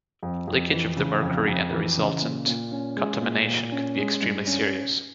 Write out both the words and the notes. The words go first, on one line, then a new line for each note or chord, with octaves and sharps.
Leakage of the mercury and the resultant contamination could be extremely serious.
F2
F2
E3
C#3
F2
F2
E3
C#3
A#2
A#2
C#4
G#3
A#2
A#2
C#4
G#3
G2
C#4